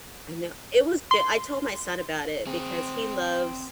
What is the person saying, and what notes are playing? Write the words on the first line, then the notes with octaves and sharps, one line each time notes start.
I know, it was goo I told my son about it because he loves
C6
C4 G#4